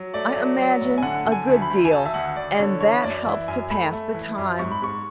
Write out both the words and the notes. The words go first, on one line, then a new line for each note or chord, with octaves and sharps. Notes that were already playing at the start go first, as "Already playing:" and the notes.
I imagine a good deal, and that helps to pass the time.
Already playing: F#3
A3 D5
F#3
F#3
A2
G#5
D3 F#5
D3
G#5
D2
B5
D2
G#5
D2 A5
E5
D2 F#5
D2 D5
D3 C#5
E3 C#5
F#2 D5
E3 E5
F#2 G#5
A3 B5
A3
E3
F#2
G#2 C#6
B5
G#2 C#6